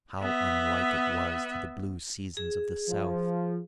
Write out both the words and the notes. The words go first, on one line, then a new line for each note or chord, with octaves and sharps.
How unlike it was to the blue seasons of the south!
B3 E5
G#4
F3